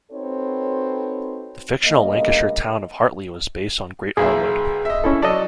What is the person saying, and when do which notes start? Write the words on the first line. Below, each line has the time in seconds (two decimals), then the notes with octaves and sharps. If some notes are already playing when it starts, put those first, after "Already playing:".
The fictional Lancashire town of Hartley was based on Great Harwood.
0.11 C4 D#4 F#4 A4 B4 C#5
1.85 G2 C#3 A3 A#3 D#5
4.17 B1 A#3 G#4 E5
4.85 D#5 E5
5.04 C#4 E4 A4
5.22 F#3 A4 D5 D#5 A5